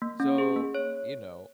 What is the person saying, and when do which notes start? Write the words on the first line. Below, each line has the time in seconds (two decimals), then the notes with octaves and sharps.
So, you know
0.02 A#3
0.20 C#4
0.38 G#4
0.56 A#3
0.75 C#5